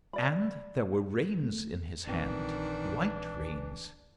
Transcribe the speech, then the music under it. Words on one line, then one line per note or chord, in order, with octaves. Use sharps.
And there were reins in his hand--white reins.
D5 B5
A3
A#1 D#3 E3 C4 D4